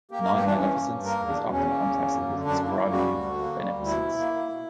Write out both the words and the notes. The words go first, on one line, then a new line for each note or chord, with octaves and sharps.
Non-maleficence is often contrasted with its corollary, beneficence.
A#3 G4
A#4
G2
G4
E3 D4
G2 C#4
A#3
G2
A#3 A#4
E2
D4
B2
E2 C#4
A#3
E2
A#3
F#2
D3
F#2 D4
A#3
E4
F#2
G3 F#4
D2
D3
A#3
G3
D2
B2 E4
B2
A#3
A#3
B2